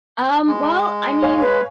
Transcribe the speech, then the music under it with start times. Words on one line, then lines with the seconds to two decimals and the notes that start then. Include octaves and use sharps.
Um, well, I mean,
0.48 G#3
1.22 C#5 F5 G#5
1.41 B4